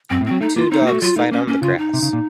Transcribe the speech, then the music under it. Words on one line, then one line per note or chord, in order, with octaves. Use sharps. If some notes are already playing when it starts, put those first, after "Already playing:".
Two dogs fight on the grass.
F#2 C4
A2
C4
F#3
A3 D#4
A#3 F4
C4 D#4
A#3
F#4
A3
F#3 F4
A3 D#4
A#3 C#4
A#3 C#4
C#3 F4
D#4
C3
C#3
A#2